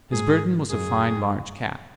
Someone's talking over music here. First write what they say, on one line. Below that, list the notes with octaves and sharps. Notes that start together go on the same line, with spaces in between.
His burden was a fine large cat.
G#2 G#4
F#2 G#4